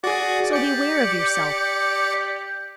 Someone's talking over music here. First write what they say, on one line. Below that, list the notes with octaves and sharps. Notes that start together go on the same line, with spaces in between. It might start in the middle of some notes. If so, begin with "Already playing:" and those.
So beware of yourself.
F#4 G#4 D5
G4 D5 C#7